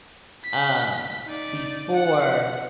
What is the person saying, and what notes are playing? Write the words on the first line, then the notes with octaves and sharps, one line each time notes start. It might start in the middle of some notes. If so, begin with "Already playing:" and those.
Um, before
B6
D#4 D5
F#5